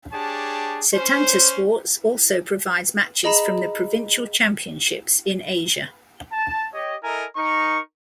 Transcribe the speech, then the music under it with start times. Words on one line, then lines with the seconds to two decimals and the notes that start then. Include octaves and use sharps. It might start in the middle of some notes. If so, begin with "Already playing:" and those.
Setanta Sports also provides matches from the Provincial championships in Asia.
0.12 D4 G4 G#4 C#5 A5
0.94 C#4 C5
3.24 G#4 D#5 A#5 B5 E7
6.33 A5
6.74 G4 C#5 D#5
7.04 E4 A4 A#4 D#5 G#5 A#5
7.36 D#4 A#4 C#6